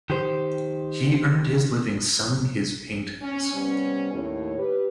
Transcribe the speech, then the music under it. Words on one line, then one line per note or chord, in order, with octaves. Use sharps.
He earned his living selling his paintings.
D#3 G4 C5
C#4
C3 G3 B3 C#4
D#2 A2 C#5
G4 B4